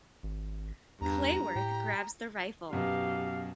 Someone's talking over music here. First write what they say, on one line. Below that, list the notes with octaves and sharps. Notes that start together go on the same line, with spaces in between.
Clayworth grabs the rifle.
G#1
E2 G2 A#5
A2 G4
F#2 B2 G4 F5